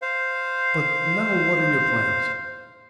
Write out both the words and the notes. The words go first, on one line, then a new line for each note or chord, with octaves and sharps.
But now what are your plans?
C5 F5